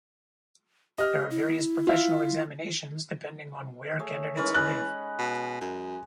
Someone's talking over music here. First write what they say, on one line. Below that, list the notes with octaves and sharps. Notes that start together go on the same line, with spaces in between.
There are various professional examinations, depending on where candidates live.
G4 D#5 F6
E4
F4 E5
A3 G#4 C#5
D#3 E3 G#3 C#4
C#4 D#5 B5 F#6
B2
F#2